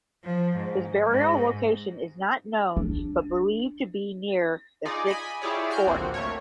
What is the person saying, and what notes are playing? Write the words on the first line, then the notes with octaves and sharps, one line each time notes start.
His burial location is not known but believed to be near the Sixth Fort.
F3
G#2
G#2
D4
D#4 F4 G#4 D5
D#5 G#5 B5
E4 F4 G4 G#4 C#5 D5
F#4 F6 G6 D7
A1 D2 F3 A#3 C4 F#4
A3 A#3 C#5